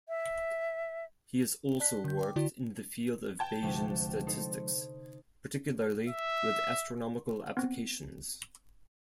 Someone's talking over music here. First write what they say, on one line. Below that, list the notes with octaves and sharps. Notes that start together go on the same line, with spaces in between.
He has also worked in the field of Bayesian statistics, particularly with astronomical applications.
E5
D5 A5 F#6 B6
D3 G6
G5 D6
D3 E4 F#4 D5
G5 A5 G#6
D2 C3 F3 G#3
D#4 A4 C5
E5
B3 C4